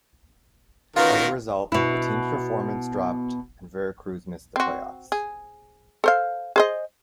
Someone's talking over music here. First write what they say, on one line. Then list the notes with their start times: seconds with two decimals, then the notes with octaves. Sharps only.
As a result, the team's performance dropped and Veracruz missed the playoffs.
0.96 E2 D#3 C#4 F4 F#4 A#4 B4
1.72 B2 E4
4.56 C4 F#4
5.12 G#4
6.04 A4 C5 F5
6.56 G#4 C5 D#5